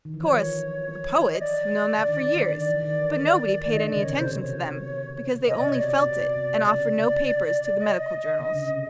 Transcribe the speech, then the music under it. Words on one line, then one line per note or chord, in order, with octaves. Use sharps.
Of course, the poets have known that for years, but nobody paid any attention to them because they only felt it and offered no papers to the medical journals.
D#3
E3
F3 C#5
D#5
D5
D3
D#3
D3
D#3
D3
D#3 D5
E3
D#3
D#3
D3 D#5
D5
C#3
C#5
C3 C5
B2 C#5
C3 D#5
B2
C3 D5
C#5
B2 D5
B2
C3
C#3 D5
D#5
D3
C#3
C3